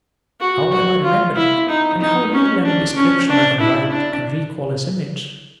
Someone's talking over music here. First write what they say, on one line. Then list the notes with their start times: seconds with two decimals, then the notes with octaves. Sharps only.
How well I remember it, and how little any description I can write can recall his image!
0.40 F#4
0.72 F#4
1.04 F4
1.36 E4
1.69 D#4
2.01 D#4
2.33 C#4
2.65 D4
2.96 C#4
3.29 D4
3.60 E4
3.92 D4